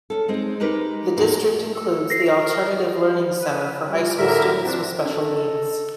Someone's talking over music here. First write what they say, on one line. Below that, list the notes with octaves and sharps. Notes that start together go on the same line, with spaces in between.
The district includes the Alternative Learning Center for high school students with special needs.
C#4 A4
G#3 C4 D#4
G#3 D#4 G4 A#4 B4
E2 A2 A#3 D#4 F#4 D5
A4
A#6 C7
A#4
B4
F3 G3
A2 D3 A#4 E5
F3 C4 D4
D4 A4 D#5